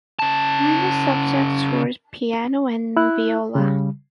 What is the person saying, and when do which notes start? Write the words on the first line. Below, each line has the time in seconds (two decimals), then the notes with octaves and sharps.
Minor subjects were piano and viola.
0.19 C#3 A5
2.97 E4 F#6
3.55 C#3 G3